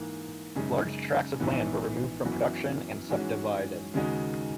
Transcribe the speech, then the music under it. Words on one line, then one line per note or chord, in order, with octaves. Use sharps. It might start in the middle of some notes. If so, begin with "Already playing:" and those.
Large tracts of land were removed from production and subdivided.
Already playing: G#2 E3 A#3
F#2 C#3 G#3 D#4
A#1 G#2 E3 B3
F#2 E3 B3 F#4
G#2 E3 G#3 C#4 F#4
D#2 C#3 G#3 D#4 F#4